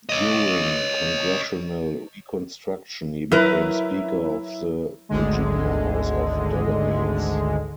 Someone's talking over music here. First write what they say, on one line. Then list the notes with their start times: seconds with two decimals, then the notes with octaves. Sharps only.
During Congressional Reconstruction he became Speaker of the Virginia House of Delegates.
0.09 C#5 D#5
3.32 F#3 E4 A#4 B4
5.09 G#1 D2 D3 G#3